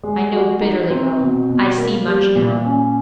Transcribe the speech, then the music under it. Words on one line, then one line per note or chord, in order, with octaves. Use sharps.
I know bitterly well; I see much now.
G#3
F#4
D#4
C4
B2
B2
A#3
G3
A#2
C#4